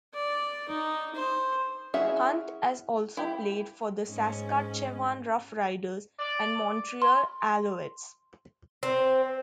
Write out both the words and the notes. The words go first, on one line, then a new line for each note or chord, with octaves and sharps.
Hunt has also played for the Saskatchewan Roughriders and Montreal Alouettes.
D5
D#4
C5
C#4 E4 F#4 G#4 E5
E4 G4
G#2 G#3 C#4
D5
C6
C4